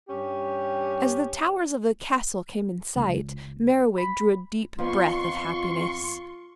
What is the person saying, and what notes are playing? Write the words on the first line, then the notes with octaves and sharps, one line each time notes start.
As the towers of the castle came in sight, Merriwig drew a deep breath of happiness.
G2 C#4 G4
C#2
B5
F2 B3 F4 C6 C#6